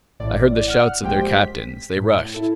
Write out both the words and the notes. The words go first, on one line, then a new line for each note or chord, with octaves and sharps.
I heard the shouts of their captains; they rushed.
A1 A2 D5
F#5 F6
A#1 A#2 G#3 G4 C5 G5
B6
A2
E4 A4